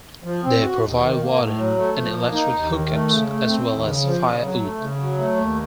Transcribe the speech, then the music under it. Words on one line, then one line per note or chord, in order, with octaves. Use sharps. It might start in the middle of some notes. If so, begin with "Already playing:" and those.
They provide water and electric hookups as well as firewood.
F3
C4
F#4
D#2
D#3
A#3
A2
F#3
A3
F3
A#3
D#4
D#2
D#3
A3
C#3
A3
C4
D#2
C#3
F3
C#3
F#3
A3
C#3
F#3
A3
D#2